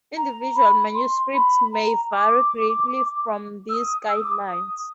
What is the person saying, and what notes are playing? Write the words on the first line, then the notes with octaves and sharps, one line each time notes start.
Individual manuscripts may vary greatly from these guidelines.
A#5
B5
C6
B5
A#5
D6
E6
D#6
E6
D#6
D6
D#6
D#6